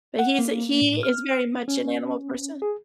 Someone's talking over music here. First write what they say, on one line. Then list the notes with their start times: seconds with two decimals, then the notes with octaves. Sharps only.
But he's he is very much an animal person.
0.19 F#5
0.39 A#3
0.82 A2
1.03 F6
1.68 C#4
2.62 G#4